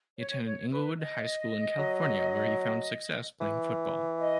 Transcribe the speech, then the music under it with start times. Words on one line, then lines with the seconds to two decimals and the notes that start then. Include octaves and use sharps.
He attended Inglewood High School in California where he found success playing football.
0.18 C#5
0.45 C#5
0.71 B4
0.99 D#5
1.79 F#3
3.41 E3
4.21 D#5